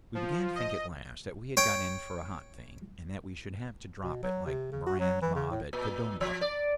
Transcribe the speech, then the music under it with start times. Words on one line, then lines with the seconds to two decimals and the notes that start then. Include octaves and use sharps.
We began to think at last that we had got in for a hot thing, and that we should have to drop it like Moran's mob at Kadombla.
0.15 F3
0.55 D#5
1.57 C#5 G5
4.03 B2
4.23 F#3
4.46 C3
4.72 C#3
4.86 F#4
5.00 F#3
5.22 E3
5.35 C#3
5.50 A2
5.73 A#2
6.21 F3
6.41 D5